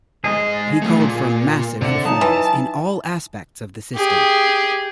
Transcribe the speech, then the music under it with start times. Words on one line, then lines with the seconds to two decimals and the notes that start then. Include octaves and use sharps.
He called for massive reforms in all aspects of the system.
0.24 G#2 G#4 D#5
0.82 F#3 A3
0.98 A#2
1.82 C3 A4 D5 F#5
2.05 F#3 D#4 A5
2.21 E3
3.96 G4 G#4